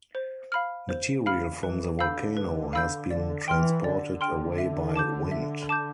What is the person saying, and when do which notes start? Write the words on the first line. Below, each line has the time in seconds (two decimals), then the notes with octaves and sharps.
Material from the volcano has been transported away by wind.
0.15 C5
0.52 F5 B5 F6
0.89 C5
1.26 F5 B5 F6
1.63 E3 B4
1.99 D3 F5 B5 E6 G6
2.37 B4
2.73 F5 B5 E6 G6
3.10 D3 D5
3.47 E3 G5 C6 F6
3.84 D3 D5
4.21 G5 C6 F6
4.58 E5
4.96 A5 D6 G6
5.31 E5
5.69 A5 D6 G6